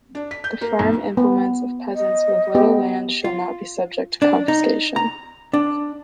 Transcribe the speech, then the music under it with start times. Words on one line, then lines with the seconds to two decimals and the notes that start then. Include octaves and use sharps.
The farm implements of peasants with little land shall not be subject to confiscation.
0.15 D4
0.31 B6
0.44 G6
0.61 A#3
0.79 B1
1.17 B3
1.95 D#5
2.55 B3 G4
3.24 F4
4.22 D4
4.48 D#4
4.96 A#5
5.53 D4